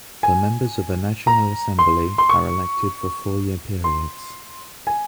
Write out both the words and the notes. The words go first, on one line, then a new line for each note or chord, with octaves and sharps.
The members of the National Assembly are elected for four-year periods.
G#5
A#5
C6
C6
C#6
C6
G#5